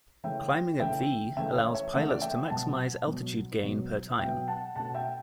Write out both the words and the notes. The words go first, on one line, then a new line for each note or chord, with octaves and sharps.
Climbing at V allows pilots to maximize altitude gain per time.
C#3 E3 A3 C#4 E5 G5
C#3 E3 A3 C#4 E5 G5
C#3 E3 A3 C#4 E5 G5
C#5 E5
C#5 E5
C#3 E3 A3 C#4 F#5
E5
D5 F#5
E5 G5
B2 F#3 B3 F#5 A5
B2 F#3 B3
B2 F#3 B3
B2 F#3 B3 E5 G5
F#5 A5
B2 A3 C#4 F#5 A5
E5 G5